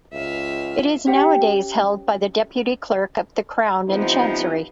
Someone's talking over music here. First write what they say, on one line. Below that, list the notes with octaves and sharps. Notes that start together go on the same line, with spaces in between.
It is nowadays held by the Deputy Clerk of the Crown in Chancery.
C#2 E5 F5
C#4 G4 F#5 G5
G2 E3 F3 B3 C4 D#4